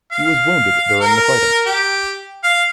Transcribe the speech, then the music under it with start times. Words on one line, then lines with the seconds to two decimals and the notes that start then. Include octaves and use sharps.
He was wounded during the fighting.
0.12 F5
1.00 A#4
1.67 G4
2.44 F5